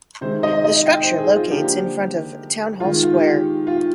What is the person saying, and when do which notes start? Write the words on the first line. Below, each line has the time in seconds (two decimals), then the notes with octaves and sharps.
The structure locates in front of Town Hall Square.
0.21 C3 D#3 G#3 C5
0.43 D#5
0.64 D#5
0.86 G5
1.03 C5
1.19 G#4
1.34 F4
1.51 D3 F3 A#3 G4
2.80 D#3 G#3 F4
3.03 F4
3.14 G4
3.67 F4